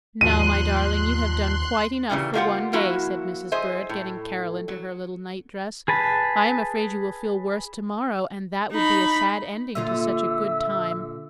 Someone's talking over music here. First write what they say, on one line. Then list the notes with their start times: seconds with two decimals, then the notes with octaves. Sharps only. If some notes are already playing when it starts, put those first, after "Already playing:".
"Now, my darling, you have done quite enough for one day," said Mrs. Bird, getting Carol into her little night-dress; "I am afraid you will feel worse to-morrow, and that would be a sad ending to such a good time."
0.21 D#2 G#2 F3 G3 C6 F#6 D#7
2.10 A#2 C#3 E3 G3
2.34 A#3 D4 D#4 F4 G4 F#5
2.73 F3 A#3 E4 F#4
3.52 G#4 C5 D#5 E5
3.89 A2
4.68 F#3
5.88 G#4 B4 A5 B5
8.72 D#4 B5
9.75 A#2 D3 F4 E5